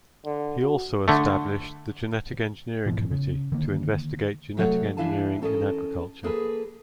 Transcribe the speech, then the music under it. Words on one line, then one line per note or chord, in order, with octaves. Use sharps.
He also established the Genetic Engineering Committee to investigate Genetic Engineering in Agriculture.
D3
F#4
D3 A3
G#2 B2 E3 F3
C#3
D3 D#3 A#3
C3 F#3 A3 C#5 D5 F#5
E3 D4 E4 F5 G#5 A5
C#4 A4 A#4 C#5 D#5
A#3 G#4 A4 B4